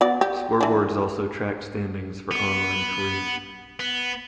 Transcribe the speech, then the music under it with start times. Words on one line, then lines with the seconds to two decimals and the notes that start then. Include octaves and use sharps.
Scoreboards also track standings for online career.
0.01 B3 F#4 D5
0.21 G4
0.61 E3 D4
2.31 B3
3.80 B3